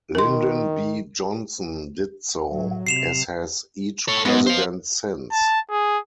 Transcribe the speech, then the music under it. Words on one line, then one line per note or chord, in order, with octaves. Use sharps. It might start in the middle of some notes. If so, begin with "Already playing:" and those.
Lyndon B. Johnson did so, as has each President since.
D#3 A#4 C6
A2 F#3
C3 C7 E7 F7
A4 C#5
G#2 B3 D#5
C5 F5
A5
G#4